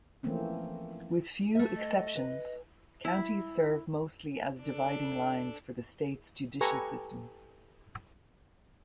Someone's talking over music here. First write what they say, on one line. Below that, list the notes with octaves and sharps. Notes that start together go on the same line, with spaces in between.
With few exceptions, counties serve mostly as dividing lines for the states' judicial systems.
E3 F3 A3 A#3 C4 C#4
A3 E5
D#5
B4
E4
D4 A4
G4 A4 B4 G#5 A#5 C#6